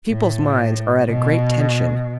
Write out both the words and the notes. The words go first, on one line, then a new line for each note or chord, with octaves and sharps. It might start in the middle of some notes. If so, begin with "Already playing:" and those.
The people's minds are at a great tension.
A2
B2